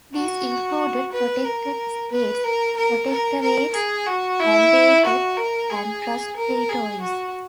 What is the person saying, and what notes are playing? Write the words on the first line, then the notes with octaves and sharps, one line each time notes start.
These included protected states, protectorates, mandated and trust territories.
F#4
B4
A#4
B4
A#4
A#4
A#4
A#4
G#4
F#4
E4
F#4
A#4
G#4
A#4
G#4
F#4